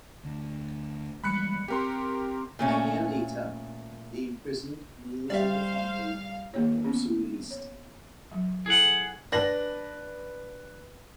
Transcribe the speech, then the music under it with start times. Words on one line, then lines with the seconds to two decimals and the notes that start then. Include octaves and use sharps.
A year later, the imprisoned males of the family were also released.
0.23 D2
1.24 E3 G3 G#3 B5 F#6 C#7
1.68 C4 G4 A#4 C6
2.59 A#2 A3 C#4
5.30 G3 C5 D5 E5 F5
6.54 D#3 A#3 C#5
6.85 B3 C#4
7.51 C#5
8.32 F#3
8.66 E4 G#4 A4 F#5
9.32 D4 B4 A#6 F#7